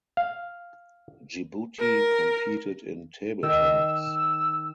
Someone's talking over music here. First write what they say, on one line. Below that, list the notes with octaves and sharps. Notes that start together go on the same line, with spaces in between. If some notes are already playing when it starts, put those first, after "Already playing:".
Djibouti competed in table tennis.
F5
A#4
D#3 E6